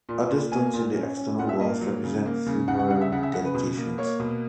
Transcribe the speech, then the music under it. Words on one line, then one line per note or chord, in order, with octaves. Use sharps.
Other stones in the external walls represent funerary dedications.
A#2
A#2
A#3 G#5
A#2
C#4
C#4
A#2 F#5
E5
A#3 D#5
F#3
C#3
A#3
C#3
C#3 F#5
F#5
C#3 F#5
E5
C#3 F#5
E5
C#3 F#5
B4
B2
A#3
A#3 C#5
B2